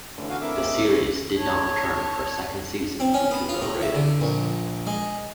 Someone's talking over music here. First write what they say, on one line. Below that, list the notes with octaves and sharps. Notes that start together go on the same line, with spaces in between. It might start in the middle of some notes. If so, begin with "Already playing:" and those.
The series did not return for a second season due to low ratings.
D3 E3 A3 C#4
B3 F#4 F5 G#5
C4 E4 A#4 E5 D6
C3 A#3 C#4 D#4
C3
B2 C#4
C#5 A5
C4
C#4
B3
F4
A2
E5
D3
A#1
G#3